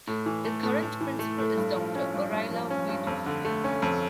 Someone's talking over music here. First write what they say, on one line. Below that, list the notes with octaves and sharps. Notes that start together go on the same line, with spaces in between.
The current principal is Doctor Oryla Wiedoeft.
A2
E3
A3
A2
A2
E3
A3
A2
G2
F3
C#4
G2
G2
F3
C#4
G2
F2
D3
A3
C#4
F2